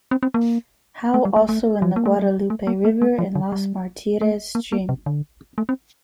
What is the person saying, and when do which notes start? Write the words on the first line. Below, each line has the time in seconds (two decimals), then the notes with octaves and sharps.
How also in the Guadalupe River and Los Martires stream.
0.11 C4
0.23 C4
0.34 A#3
1.14 A3
1.25 G3
1.36 A3
1.49 A3
1.82 F3
1.96 A#3
2.06 A3
2.17 G3
2.50 A3
2.67 A#3
2.85 A#3
3.02 A3
3.19 F3
3.35 D3
3.52 G3
4.21 A3
4.55 A#3
4.72 A#3
4.89 C3
5.06 D3
5.58 A3
5.69 C4